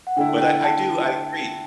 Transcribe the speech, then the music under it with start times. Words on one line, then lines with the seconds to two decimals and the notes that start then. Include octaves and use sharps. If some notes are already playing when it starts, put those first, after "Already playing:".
But I I do I agree.
0.07 F#5
0.16 D3 A3 E4 G5
0.41 G5
0.64 A5